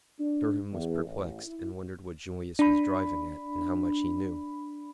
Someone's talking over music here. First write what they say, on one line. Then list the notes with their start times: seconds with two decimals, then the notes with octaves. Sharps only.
Durham was perplexed, and wondered what Julius was driving at, and how much he knew.
0.20 D4
0.72 E2
1.04 A1
1.44 E4
2.59 D4 B5